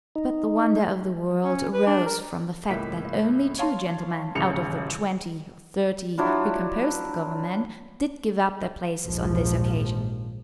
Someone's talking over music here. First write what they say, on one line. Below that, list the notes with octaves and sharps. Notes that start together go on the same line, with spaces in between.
But the wonder of the world arose from the fact that only two gentlemen out of the twenty or thirty who composed the Government did give up their places on this occasion.
D#4
C#4
B4
D4
A#4
C#2 A2 A#3 B6
C#5 F5 A5 C6
D#1 A1 C#3 C#7 F7
F#3 D4 E4 F4
A#1 D#2 G#2 F3